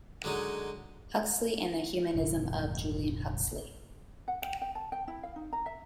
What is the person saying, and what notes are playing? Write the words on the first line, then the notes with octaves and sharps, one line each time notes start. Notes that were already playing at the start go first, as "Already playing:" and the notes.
Huxley and the humanism of Julian Huxley.
D3 F#3 G#3 D#4
F1 A#1 D3
F#5
G5
G5
A5
G5
E4
F5
D#4
A#5
E5